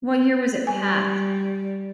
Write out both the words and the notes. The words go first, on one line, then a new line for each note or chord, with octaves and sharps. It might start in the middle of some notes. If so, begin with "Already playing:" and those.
What year was it passed?
G3 G#5